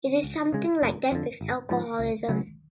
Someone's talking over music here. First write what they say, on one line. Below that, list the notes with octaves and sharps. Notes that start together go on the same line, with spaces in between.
It is something like that with alcoholism.
C#2
C#3 G#3
F1
F2 D3
G#1
G#2 F3
C#2
C#3 F#3 C#4